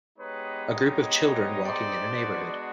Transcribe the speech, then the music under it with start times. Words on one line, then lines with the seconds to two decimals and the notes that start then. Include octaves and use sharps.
A group of children walking in a neighborhood.
0.18 G#3 B3 D#4 G4 B4 C#5
0.66 C#5 D#5
1.62 C5 D5
2.10 G#3 B3 D4 F#4